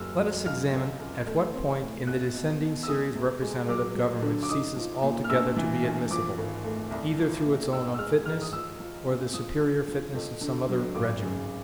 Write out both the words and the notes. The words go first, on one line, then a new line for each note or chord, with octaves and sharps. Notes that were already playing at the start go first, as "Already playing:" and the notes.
Let us examine at what point in the descending series representative government ceases altogether to be admissible, either through its own unfitness or the superior fitness of some other regimen.
Already playing: F#1 F#3 E6 F6
F#3
C#2 F6
C3
C#2
A3
C4
A2
C#2 F#6
B2
B2
E6
G#3 D#6
C3
G#3
F#3 D6
F#3
D3
D6
D#4 D#6
F3
A#2
F6
A#1 E6
E3
A#1
F3 D6
G#1
A3
C2
F3
A#2
G#2 E6
E6
G#3 F6
G#2 F6
D#6
F3 E6
F3
C#3
F3 D#6
D3
F3
F2
D3
F#3
G#1 D6
C#3